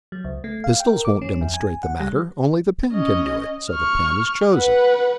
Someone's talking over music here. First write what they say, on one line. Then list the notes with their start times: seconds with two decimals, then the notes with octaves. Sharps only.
Pistols won't demonstrate the matter; only the pen can do it, so the pen is chosen.
0.12 F#3
0.25 C#2
0.44 A3
0.64 F5
0.80 G5
0.93 A#4
1.05 D6
1.21 C#4
1.41 F2
1.54 G#5
1.83 F#5
2.00 G3
2.92 C#4 D#5
3.71 C#6 F6
4.54 B4 F#5